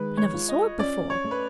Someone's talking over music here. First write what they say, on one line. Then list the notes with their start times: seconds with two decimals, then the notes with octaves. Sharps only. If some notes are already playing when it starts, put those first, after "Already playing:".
I never saw it before.
Already playing: D#3 G#3 B4
0.17 C#5
0.33 F4
0.49 D#5
0.79 C#4 D5
1.10 C#5
1.24 A3
1.31 B4